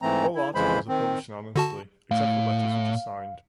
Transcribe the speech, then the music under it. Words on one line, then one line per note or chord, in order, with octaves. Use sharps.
All articles are published anonymously, except for letters which are signed.
G#2 E3 A3 C4 A#5
E4
F2 C#3 E3 G#3 C5 B5
D#3 C4
D3 F#4 A5
A2 F5